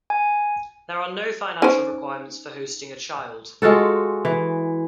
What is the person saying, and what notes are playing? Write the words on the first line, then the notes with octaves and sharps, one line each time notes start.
There are no financial requirements for hosting a child.
G#5
C#4 D#4 C5 G#5
G#3 F4 F#4 A4
E3